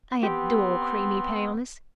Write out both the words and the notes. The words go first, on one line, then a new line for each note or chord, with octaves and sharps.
I adore creamy paleness.
B3 C4 G4